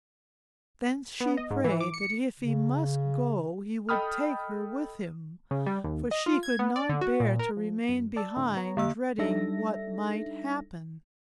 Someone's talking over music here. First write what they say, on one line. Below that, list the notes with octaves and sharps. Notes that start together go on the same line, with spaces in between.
Then she prayed that if he must go he would take her with him, for she could not bear to remain behind dreading what might happen.
B3
D#5
G#2
E3
D6
C#7
C#3
A4 D#5 G5 B5 D#6 F6
C#3
G3
D#2
D#5
F4
G#6
B3
D5
D3
F#4
A#2
A#4
F3
F#2
D5 A5 E6
A2 D3 A3
B3 C#5 A#5
F2 D3 A#3 G4 E6
G3 D4 D#4 A4 E5 A#6